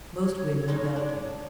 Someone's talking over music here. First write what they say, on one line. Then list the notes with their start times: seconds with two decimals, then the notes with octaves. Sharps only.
"Most winning and delicate."
0.16 C#5
0.68 G#3 C#4 D#4
0.96 D4